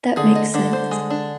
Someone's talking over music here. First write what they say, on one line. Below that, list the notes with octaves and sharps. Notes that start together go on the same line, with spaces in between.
that makes sense.
D3 G#4
D#5
D3 D4
C5
G#3
D4